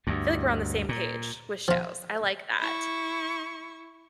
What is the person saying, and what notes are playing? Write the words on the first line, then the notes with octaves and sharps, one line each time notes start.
I feel like we're on the same page with shows. I like that,
D2 G2
A#2
F3 F4
E4 C#6